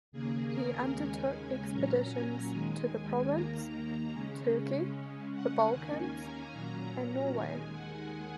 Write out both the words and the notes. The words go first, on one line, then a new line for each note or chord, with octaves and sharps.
He undertook expeditions to the Provence, Turkey, the Balkans, and Norway.
D#2 C#3 A#3 G#4
A#4
D#2 C#3 G#3 C#4 G#5
G#5
A#2 F#3 C#4 A#5
G#5
D#2 D#3 G#3
D#2 D#3 A#3 A#5
A#5
C#3 G#3 C#4
C#3 G#3 C#4
F#5
D#2 D#3 A#3 C#4 G#5
A#5
A#2 F#3 C#4 A#5
A#5
D#2 D#3 G#3 G#5
F#5